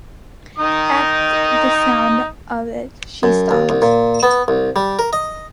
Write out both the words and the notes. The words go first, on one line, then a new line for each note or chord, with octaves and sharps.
At the sound of it she stopped.
D#3 D#4 D#6
F#2
D#2
C2
A#2
B3
C2
G3
A#4
D#5